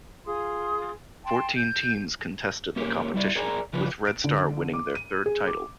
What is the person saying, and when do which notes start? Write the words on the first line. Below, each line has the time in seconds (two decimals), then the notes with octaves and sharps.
Fourteen teams contested the competition, with Red Star winning their third title.
0.24 F4 G#4 C6 D#6
1.24 G5 A5 C6
1.53 G6
2.76 A#3 C#4 G4 A#4
3.14 G3 E4 D5
3.36 G#4 A#4 D5 G#5 A#5
3.73 C#3 F3 F4 B4
4.07 D7
4.24 D3
4.74 D6
4.95 D#7
5.26 G#4
5.47 D6